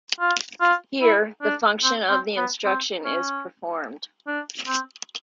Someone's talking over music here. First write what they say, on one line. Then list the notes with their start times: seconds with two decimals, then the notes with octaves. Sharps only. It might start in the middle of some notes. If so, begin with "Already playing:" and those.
Here, the function of the instruction is performed.
0.20 F4
0.61 F4
1.01 E4
1.42 D4
1.84 C4
2.10 C4
2.37 B3
2.65 C4
3.04 C#4
4.27 D4
4.67 C4